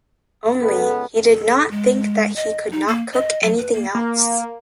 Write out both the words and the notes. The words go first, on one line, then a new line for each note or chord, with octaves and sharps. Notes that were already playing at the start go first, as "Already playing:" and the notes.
Only, he did not think that he could not cook anything else.
C#2 B3 A4 B4
A4
G#3
D#5
D#4
A#3
D#5
F#3
B4
A#3
A#3